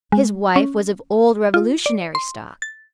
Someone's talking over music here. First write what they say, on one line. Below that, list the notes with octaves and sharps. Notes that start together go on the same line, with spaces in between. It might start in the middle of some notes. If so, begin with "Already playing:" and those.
His wife was of old Revolutionary stock.
G#3
C#4
F4
D5
C6
A6